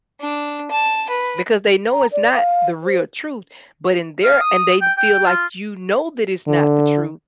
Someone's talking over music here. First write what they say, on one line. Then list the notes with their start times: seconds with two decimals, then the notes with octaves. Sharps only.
because they know it's not the real truth, but in their and they feel like you know that it's not the truth,
0.20 D4
0.71 A5
1.09 B4
1.92 A#5
2.12 D5
2.33 F5
2.83 C5
4.24 F5
4.40 D#6
4.81 G5
4.97 G5
5.26 F4
6.47 D3